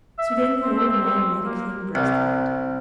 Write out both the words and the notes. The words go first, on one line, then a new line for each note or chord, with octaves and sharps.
So then the old man made a clean breast of it.
E5
C4
A#3
C2